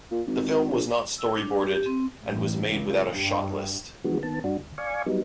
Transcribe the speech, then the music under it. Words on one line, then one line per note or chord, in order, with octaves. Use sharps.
The film was not storyboarded and was made without a shot list.
A#2
G#1
A#1
E6
D4
G4
C4
A1
C#2
G2
D3 E3 F3 G#3 B3 F#4
D#3 B3 A5
G2 D4 F#4
D2
D5 F5 G#5 C#6
F#3 G3 B3 D#4